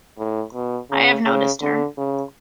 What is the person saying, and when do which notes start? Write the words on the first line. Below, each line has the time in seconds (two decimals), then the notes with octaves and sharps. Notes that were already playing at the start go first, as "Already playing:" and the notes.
I have noticed her.
0.18 A2
0.54 B2
0.91 C#3
1.26 C#3
1.62 D3
1.98 C#3